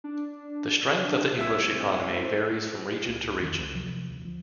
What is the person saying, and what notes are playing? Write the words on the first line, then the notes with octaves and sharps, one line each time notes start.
The strength of the English economy varies from region to region.
D4
D4
C2 E5 E6 G#6
A2 C5
C#2 A3
F2 D3 D#3
C#2
C3 F3 F#3
D2
F3